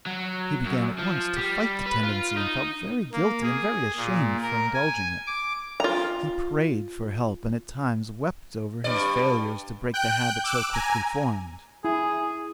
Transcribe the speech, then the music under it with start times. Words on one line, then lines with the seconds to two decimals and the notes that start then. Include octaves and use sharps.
He began at once to fight the tendency, and felt very guilty and very ashamed for indulging it. He prayed for help and at times wept over his failures to break the habit so quickly formed.
0.06 F#3
0.66 F#2
0.99 F3
1.37 G3
1.87 B4
2.04 F4
2.37 D#4
3.12 A#3
3.42 G#4
3.96 A#2
4.42 A#4
4.74 G#5
5.27 D6
5.80 F4 A#5
8.84 G2 D5
9.94 G5 F#6 G6
10.44 D6 E6 F#6 D7
10.73 G#5 A#5
11.85 E4 G#4